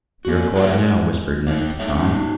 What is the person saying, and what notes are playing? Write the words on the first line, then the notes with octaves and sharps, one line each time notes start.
"You're caught now," whispered Ned to Tom.
A#3 F#4
G4 G#4 A#4 B4 C#5 F#5
G#3
A#3 C#4 D#4
G#3 A3 C#5 E5
C#4 D#4